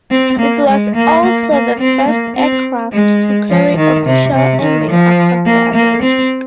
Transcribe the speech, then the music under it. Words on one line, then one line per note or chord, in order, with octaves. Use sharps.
It was also the first aircraft to carry official airmail across the Atlantic.
C4
A#3
G#3
A#3
A#3
A#3
C4
A#3
C4
G#3
F3
D#3
C3
C3
D#3
F3
A#3
A#3
C4